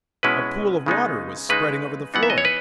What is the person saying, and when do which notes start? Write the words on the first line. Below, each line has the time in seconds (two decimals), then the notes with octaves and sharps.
A pool of water was spreading over the floor.
0.23 B2 G#3 C#4 E4 B4
0.86 C#3 G#3 B3 D#4
1.49 C#3 G#3 D#4 B4
2.14 E3 B3 D#4 F#5
2.23 E5
2.30 D#5
2.38 C#5
2.45 B4